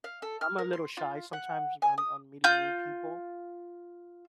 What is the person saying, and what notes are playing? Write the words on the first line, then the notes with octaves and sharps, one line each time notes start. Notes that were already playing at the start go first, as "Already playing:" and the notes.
I'm a little shy sometimes on on meeting new people.
F5
A4
F6
A#4
C6
F4
F#5
G#5
D#6
F4 G6